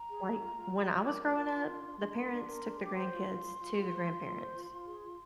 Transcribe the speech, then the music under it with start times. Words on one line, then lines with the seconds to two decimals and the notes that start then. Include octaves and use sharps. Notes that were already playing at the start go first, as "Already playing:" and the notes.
like, when I was growing up, the parents took the grandkids to the grandparents.
Already playing: A#5
0.10 G#4
0.25 G#4
0.40 F4
0.57 F4
0.73 F4
0.88 F4
1.04 A#4 D6
1.21 F4 D6
1.37 A#4
1.47 C6
1.53 F4
1.68 D4
1.84 D4
2.00 D4
2.16 A#4
2.32 D4
2.47 A#4
2.63 D4
2.79 G4
2.85 D6
2.95 C5 C6
3.12 F4
3.28 F4
3.43 F4
3.60 F4
3.75 F4
3.91 C5
4.06 F4
4.22 F4
4.38 C5
4.55 F4
4.71 F4
4.86 G#4
5.02 F4